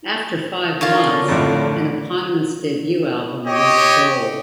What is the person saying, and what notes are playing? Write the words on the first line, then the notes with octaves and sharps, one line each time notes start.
After five months, an eponymous debut album went Gold.
D3 F4 A#4 C#5
F2 A2
G4 C#5 D#5 G5